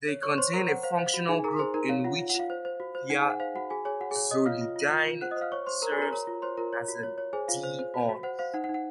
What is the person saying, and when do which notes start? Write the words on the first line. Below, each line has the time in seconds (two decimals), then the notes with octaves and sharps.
They contain a functional group in which thiazolidine serves as a dione.
0.08 C#5
0.23 C#5 C#6
0.38 C5 C#5 C6
0.53 A#4 C#5 A#5
0.68 C5 F#5
0.83 C5 F5
0.98 C5 F5
1.14 F#4
1.28 D#4 G#4 G#5
1.44 G#4 A#4 A#5
1.59 G#4 C5 C6
1.74 D#4 A#4 A#5
1.89 C#5 F5
2.04 F4 F#5
2.19 F4
2.29 F#5
2.35 F4 F5
2.50 C5
2.65 C5
2.80 F#4
2.95 C5
3.10 D#4 F#5
3.20 G#4 G#5
3.26 C5 F#5
3.40 C5 F5
3.56 F#4 F#5
3.70 F#4 G#4 G#5
3.85 G#4 C#5 G#5
4.01 F#4 F#5
4.11 G#4 G#5
4.16 C#5
4.31 C#5 D#5 D#6
4.46 F4 F5 F6
4.61 F4
4.76 F4
4.91 F4
5.06 F4
5.21 C5 F#5 F#6
5.31 D#5 D#6
5.36 C5
5.41 F5 F6
5.52 C5 C#5 C#6
5.66 C5 C6
5.82 A#4 C5 A#5
5.92 G#4 G#5
5.98 F#4 A#4 A#5
6.12 A#4 C#5 A#5
6.27 F4
6.42 C5 C#5 C6
6.57 F4 A#4 A#5
6.73 C#5
6.88 F#4
7.03 C#5
7.18 C#5
7.33 G#4 C5 G#5
7.48 F4 F5
7.63 C5
7.79 C5
7.94 F#4
8.09 F#4
8.23 C5 F#5
8.39 C5 F5
8.54 D#4 F#5
8.64 F#5
8.69 D#4
8.74 F#5